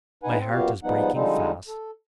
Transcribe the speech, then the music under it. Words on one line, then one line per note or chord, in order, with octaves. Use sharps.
My heart is breaking fast.'
E2 G2 D#4 B4 F#5 G#5
C4
F#2 A#2 B3 F#4 G4 F5
G#2 F3 G3 B3 D#4 F#5
D3 F3 G3 G#3 C4 D#4
A4